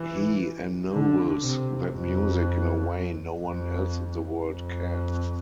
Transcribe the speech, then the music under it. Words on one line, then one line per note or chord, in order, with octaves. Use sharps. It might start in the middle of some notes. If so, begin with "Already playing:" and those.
He ennobles that music in a way no one else in the world can.
Already playing: E3
D3
C3
F2
F2
F2